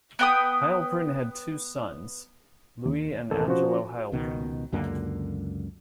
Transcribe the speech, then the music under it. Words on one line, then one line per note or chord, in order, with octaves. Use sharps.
Heilprin had two sons, Louis and Angelo Heilprin.
B3 G5 D#6
D#2
A1 D#2 A4 A#4
F3 C#4 F#4 C5
C#2 B2 D#3
C#2 F#2 D3 A#3